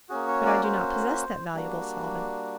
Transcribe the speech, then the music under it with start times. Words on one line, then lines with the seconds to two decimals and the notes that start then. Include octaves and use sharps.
But I do not possess that valuable solvent.
0.09 A#3 C#4 F#4 G#4
0.28 C#5
0.45 D5
0.63 C5
1.53 G3 A#3 D4 F#4